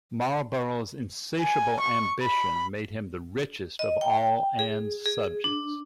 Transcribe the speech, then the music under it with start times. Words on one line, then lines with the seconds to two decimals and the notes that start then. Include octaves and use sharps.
Marlborough's insatiable ambition made him the richest of all Anne's subjects.
1.41 G#5
1.80 C#6
2.23 B5
3.79 D#5
4.01 G5
4.59 G#4
5.06 G#4
5.44 D4